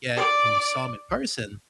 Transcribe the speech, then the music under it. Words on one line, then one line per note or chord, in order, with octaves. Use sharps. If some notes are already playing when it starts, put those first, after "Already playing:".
Yet when you saw him in person,
D5